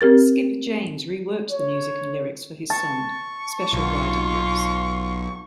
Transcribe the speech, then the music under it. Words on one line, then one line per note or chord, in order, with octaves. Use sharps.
Skip James reworked the music and lyrics for his song "Special Rider Blues".
C4 G4 A#4 A6
C#5
A5 C#6
B1 F4